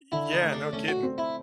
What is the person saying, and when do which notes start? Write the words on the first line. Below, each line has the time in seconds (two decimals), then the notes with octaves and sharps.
Yeah, no kidding.
0.12 D3 E4
0.32 D#4
0.43 A3
0.53 D4
0.73 A3 C#4
0.88 F#4
1.03 C4
1.18 E4